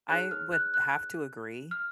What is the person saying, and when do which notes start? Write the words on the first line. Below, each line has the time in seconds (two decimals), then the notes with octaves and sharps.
I would have to agree
0.10 D#4 G#4 C#5 F#6
0.31 F6
0.52 F#6
0.74 F#6
1.71 F6